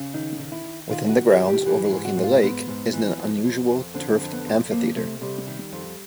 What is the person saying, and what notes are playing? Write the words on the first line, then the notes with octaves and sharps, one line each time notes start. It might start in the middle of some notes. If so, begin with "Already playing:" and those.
Within the grounds, overlooking the lake, is an unusual turfed amphitheatre.
Already playing: C#3
D#3 D#4
D#3
E4
D#3
D#3 F4
F#4
D#3
G4
G2
G4
E3 G4
G#4
G#2
F#4
G#2
F4
G#2 B3
G#2
E3
F2
F2
F2
D3 C4
F2
B3
F2
F2 A#3
C3 A3
C3 G3
D#3
F2